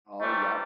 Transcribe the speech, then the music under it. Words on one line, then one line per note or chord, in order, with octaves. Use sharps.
Oh, yep.
C3 E3 G3 A3